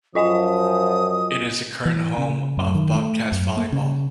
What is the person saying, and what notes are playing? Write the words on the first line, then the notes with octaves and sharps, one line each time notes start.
It is the current home of Bobcats volleyball.
F#2 F3 F4 D#5 G#5 D#6
E3
C#3
F#2
D#3
A3
F#2
A#3
C#3